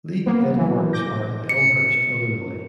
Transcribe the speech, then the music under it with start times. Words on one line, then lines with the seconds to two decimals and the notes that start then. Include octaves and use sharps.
League headquarters are in Elmhurst, Illinois.
0.26 A#3 B3
0.54 E3 F#3
0.93 D6 G6 A#6
1.49 C#7